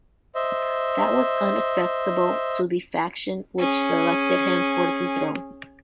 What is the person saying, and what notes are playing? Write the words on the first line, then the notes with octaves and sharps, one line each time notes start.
That was unacceptable to the faction which selected him for the throne.
C5 D#5 E5
C#4 G#4